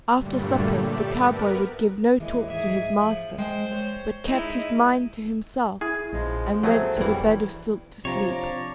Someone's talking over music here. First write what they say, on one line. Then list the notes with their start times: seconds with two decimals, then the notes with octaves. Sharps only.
After supper the cowboy would give no talk to his master, but kept his mind to himself, and went to the bed of silk to sleep.
0.15 G2 A#2 D3 F#3 G3 A3
0.76 G4 A4 D5 E5
1.15 B3 A#4 B4
2.20 D#2 E3 G#3
2.50 G#2 G#4 E5
2.96 F3
3.38 G#3 C5 G5
3.72 C#5
4.24 G#3 D#4 E4
5.81 E4 G#4
6.13 A#1 C#3 F3 G#3
6.63 F3 F#3 A3 C4 G#4
6.97 F1 G2 C#3 E3 G3
8.05 C3 F3 D4 F4 C#5 D5 A#5